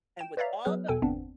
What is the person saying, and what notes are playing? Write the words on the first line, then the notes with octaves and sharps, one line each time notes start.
And with all the
G5 E7
B4 C#5 D5 E5 F5 A#5
F#3 B3 G#4 B4 F6
E2 B2 A4 G5 G#5
G1 E2 B3 C4 D4